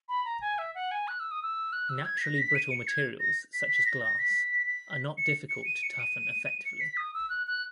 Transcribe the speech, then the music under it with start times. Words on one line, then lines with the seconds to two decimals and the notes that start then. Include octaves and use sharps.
Naturally brittle materials, such as glass, are not difficult to toughen effectively.
0.09 B5
0.25 A#5
0.41 G#5
0.58 E5
0.75 F#5
0.91 G#5
1.08 F#6
1.20 E6
1.31 D#6
1.42 E6
1.73 F#6
1.89 E6
2.05 G#6
2.18 B6
2.21 A#6
2.39 B6
2.55 D#7
2.71 C#7
2.87 G#6
3.20 A#6
3.54 B6
3.69 B6
3.86 A#6
4.03 A#6
4.19 B6
4.67 B6
5.18 C#7
5.49 C#7
5.66 D#7
5.83 C#7
6.00 D#7
6.65 C#7
6.80 B6
6.97 D#6
7.14 E6
7.30 F#6
7.47 F#6